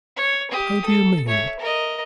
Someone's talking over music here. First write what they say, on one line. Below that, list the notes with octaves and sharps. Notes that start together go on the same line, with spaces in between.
"How do you mean?"
C#5
G4 D#6
A4
C#5 E5
A#4 D#5